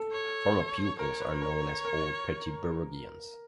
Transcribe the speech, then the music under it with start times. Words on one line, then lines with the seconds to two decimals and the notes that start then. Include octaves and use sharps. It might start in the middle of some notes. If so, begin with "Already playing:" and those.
Former pupils are known as "Old Petriburgians".
Already playing: A4
0.12 C#5
0.99 A#4 C#5
1.20 B4
1.42 A#4
1.85 A#4